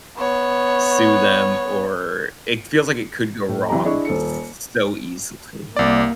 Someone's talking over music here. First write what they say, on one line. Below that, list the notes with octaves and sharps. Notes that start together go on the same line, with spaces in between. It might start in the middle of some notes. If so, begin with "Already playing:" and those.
sue them, or it feels like it could go wrong so easily.
B3 C#5
A2
E3 F#3 G4 A#5
D4 E4 G#4 D#5 C#6
D#1 A4 C#7
C2 A#3 D5